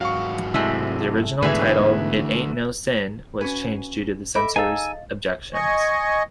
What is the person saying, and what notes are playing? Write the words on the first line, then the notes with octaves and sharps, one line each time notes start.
The original titled, "It Ain't No Sin", was changed due to the censors' objections.
G#2 F#3 F#4 F5 C#6
C3 G#3 A3 E4 E6
G#2 B2 D3 E3 A3 G#4 B4 E5
C#4 F#4 B4 G#5
A4 D#5 E5 B5 D6
D#4 G#4 A4 D#5 F5 G#5 E6 A6
D#5 G#5 C#6